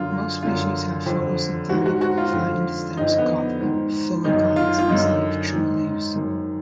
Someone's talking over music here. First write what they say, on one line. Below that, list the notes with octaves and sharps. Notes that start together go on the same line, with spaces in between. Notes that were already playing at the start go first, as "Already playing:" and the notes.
Most species have photosynthetic flattened stems, called phylloclades, instead of true leaves.
Already playing: F#2 D3 F4
F#2 D3 F4
F2 D3
G#2 D#3 F#4
F#4
F#4
F4
F2 D3
F2 D3 D#4
B3
G#2 D#3
F#2 D#3 D#4
F4
F4
F#2 D3 D#4
G#2 D#3
F#2 D#3